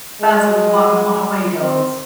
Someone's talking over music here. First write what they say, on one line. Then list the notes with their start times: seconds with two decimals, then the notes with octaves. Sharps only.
Basel won on away goals.
0.21 G#3
1.61 C4